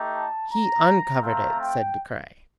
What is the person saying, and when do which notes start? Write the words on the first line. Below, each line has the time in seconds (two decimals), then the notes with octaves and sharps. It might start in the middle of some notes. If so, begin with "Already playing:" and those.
"He uncovered it," said De Craye.
Already playing: A3 D#4 G4
0.12 A5
0.48 A#5
1.22 A3 C4 F4 A#5
1.59 G5